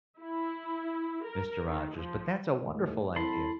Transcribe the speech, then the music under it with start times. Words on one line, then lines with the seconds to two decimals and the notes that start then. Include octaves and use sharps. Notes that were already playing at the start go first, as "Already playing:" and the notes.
Mister Rogers, but that's a wonderful idea.
0.20 E4
1.25 A#4
1.68 D#3
1.97 F3
2.64 D#2 A2
3.16 C2 E4 A4 B5 C6